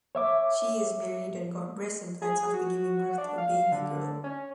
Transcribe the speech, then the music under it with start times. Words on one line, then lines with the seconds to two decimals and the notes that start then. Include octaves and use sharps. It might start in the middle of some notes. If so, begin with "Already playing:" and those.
She is married and got breast implants after giving birth to a baby girl.
0.15 C#5 E5 D6
2.22 G#4
2.53 F#4
3.18 D4
3.38 F5
3.72 D3
4.24 C#4